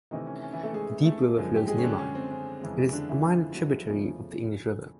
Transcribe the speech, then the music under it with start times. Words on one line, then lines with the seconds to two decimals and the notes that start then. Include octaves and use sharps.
The Deep River flows nearby; it is a minor tributary of the English River.
0.11 C3 D#3 E3 A3 D#4
0.27 C#4
0.43 C#4
0.53 E3 E4
0.63 A3 A4
0.73 G#3 G#4
1.05 A3 A4
1.36 F#2 D3 F3 G#3
1.56 G4
1.67 G#3 G#4
1.78 C#4
1.83 D3 D4
1.99 C#4
2.15 C4
2.31 C#4
2.61 F2 C#3 E3 G#3
2.93 D3 D4
3.09 E3 E4
3.24 F3 F4
3.55 F#3 F#4
3.87 E2 C#3 F3 A3